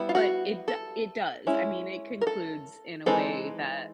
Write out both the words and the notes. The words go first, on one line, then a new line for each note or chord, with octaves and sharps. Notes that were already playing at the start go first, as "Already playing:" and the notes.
But it do it does. I mean, it concludes in a way that
Already playing: G3 B3 E4
F4
F#4
A4
G#3 C#4 E4
A#4
A4
E3 G#3 C4 D#4 A4